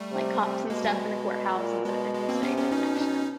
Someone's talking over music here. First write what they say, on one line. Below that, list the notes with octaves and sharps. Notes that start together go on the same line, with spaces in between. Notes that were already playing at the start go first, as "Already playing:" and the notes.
like, cops and stuff in the courthouse, and so it's interesting the connection.
Already playing: G3 A3
C3
C3
B2 G#3 A#3
G3 A3
G#3
A#2
B2 G#3
G#3
A#3 C4
C3 B3 C#4
B3 C#4
B2 C#4 D#4
D4
C#4 D#4